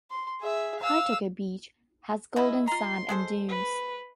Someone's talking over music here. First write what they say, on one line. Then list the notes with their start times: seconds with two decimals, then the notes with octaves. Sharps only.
Kaitoke Beach has golden sand and dunes.
0.11 C6
0.41 G#4 E5
0.79 F5 E6
2.36 C#3 G#3 E4 D#5
2.68 F4 A#5 C6
3.09 G#3 A4 C5
3.49 B4